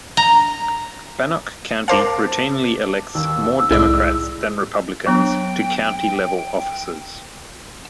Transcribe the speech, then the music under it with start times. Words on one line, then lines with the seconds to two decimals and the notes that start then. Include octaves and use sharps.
Bannock County routinely elects more Democrats than Republicans to county-level offices.
0.17 A#5
1.88 A#4 C5 F5 A5 D6
3.15 D#2 E6
3.71 C2 A2 G#3 E4 D5
5.06 F#3 B3 D4 G5